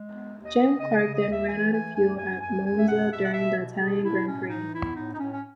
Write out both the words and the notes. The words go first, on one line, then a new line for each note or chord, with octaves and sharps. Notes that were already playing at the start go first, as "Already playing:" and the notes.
Jim Clark then ran out of fuel at Monza during the Italian Grand Prix.
Already playing: G#3
B3
D#2
D#5
B3
C#3 D#5
D#5
C#3
D#5
D#2
E5
E3 G#5
A3 G#5
F#2 G#5
F#2 G#5
F#2 G#5
F#2 G#5
E5
B2 F#5
B2 E5
F#5
B2 E5
B2
B2 G#4
B2 E4
A2 C#4
E3 D#4
B3 E4
A2 D#4
D#4
A2 C#4
C#4